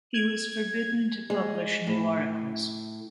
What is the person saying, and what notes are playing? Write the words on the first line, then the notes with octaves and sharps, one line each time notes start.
He was forbidden to publish new articles.
G#6
G#3
A2